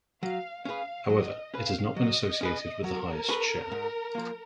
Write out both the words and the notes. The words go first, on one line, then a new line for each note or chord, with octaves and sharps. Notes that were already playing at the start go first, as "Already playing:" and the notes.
However, it has not been associated with the highest share.
F#3 F5
C#4 G#4 B4 F5
F#3 D#5
C#4 G#4 B4 F5
F#3 D#5
C#4 G#4 B4
F#3 A#4
C#4 G#4 B4
G#2
F3 A#3